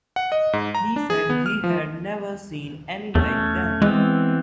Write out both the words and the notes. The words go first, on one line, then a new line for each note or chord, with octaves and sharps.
He said he had never seen any like them.
F#5
D#5
G#2
A#5
D4
G#4
B3
F6
F3
E2 A3 C#4
E3 G#3 B3 C4